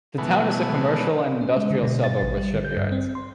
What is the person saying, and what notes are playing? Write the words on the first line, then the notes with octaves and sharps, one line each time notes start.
The town is a commercial and industrial suburb with shipyards.
B2 E3 G#3 A3 B3
C#4
G#3
D3
B2
A6
A1
G3
D3
G6
G2
C4
C6